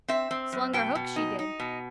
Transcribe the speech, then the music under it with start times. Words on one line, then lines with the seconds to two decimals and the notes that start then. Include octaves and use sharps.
Slung her hook, she did.
0.08 C4 E5
0.31 C4
0.53 F#2
0.73 B2 G5
0.95 B2
1.16 D#4
1.39 D#4
1.60 B2